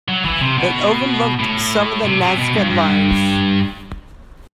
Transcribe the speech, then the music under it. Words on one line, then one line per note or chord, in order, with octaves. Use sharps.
It overlooked some of the Nazca lines.
F#3
E3
C3
B2
A2
C3
C3
B2
G2
G2